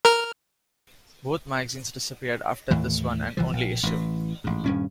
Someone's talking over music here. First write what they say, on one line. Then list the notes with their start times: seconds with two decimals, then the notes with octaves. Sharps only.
Both magazines disappeared after this one and only issue.
0.05 A#4 F6
2.71 D#2 A2 E3
3.37 C2 E3 F3
3.53 A#1
3.83 A1 E3
4.44 A1 G#2
4.66 D#1 G2 C#4